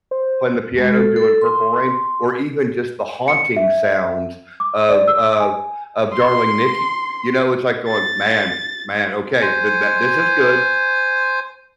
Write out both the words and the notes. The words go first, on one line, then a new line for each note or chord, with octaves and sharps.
playing the piano, doing Purple Rain, or even just the haunting sounds of of of Darling Nikki, you know? It's like going, "Man man, okay. Th that this is good.
C5
G#3
A4
A4
C6
C#7
E5
D6
D5
E6
G#5
C6
A6
C5 G#5